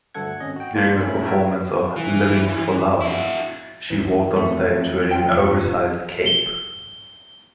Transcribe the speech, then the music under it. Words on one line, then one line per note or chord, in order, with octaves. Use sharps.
During the performance of "Living for Love", she walked onstage wearing an oversized cape.
D2 G2 A3 A4 F#5 G#6
G#1 C#4 D#5
F#4 G5
A#1 A#3 D4 F4
A#1 A2 C#4 E5 B5 B6
A#4 B4 C#5 E5 G5 A5
E3
E4 F#4
D2 E3
F2 A3
F4 G5
G7